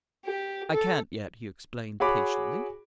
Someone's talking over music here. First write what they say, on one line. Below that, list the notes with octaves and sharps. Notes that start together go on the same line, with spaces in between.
"I can't yet," he explained, patiently.
G4
A4
F#4 G#4 C#5 B5 D6